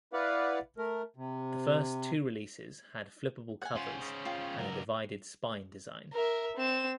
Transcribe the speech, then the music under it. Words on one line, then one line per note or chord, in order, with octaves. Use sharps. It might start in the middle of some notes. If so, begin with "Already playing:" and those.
The first two releases had flippable covers and a divided spine design.
E4 B4 D5 F5 F#5
A3 A#4
C3
F#5 G#5
C#4 F4 C5
C#3
F4 G5
C#2 F#3 A#4
A#4 E5
C4 E7